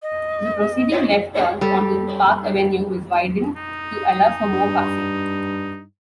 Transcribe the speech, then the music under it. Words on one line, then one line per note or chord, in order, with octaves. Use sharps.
The proceeding left turn onto Park Avenue was widened to allow for more passing.
D#5
G3 G4 A4
D#4
G2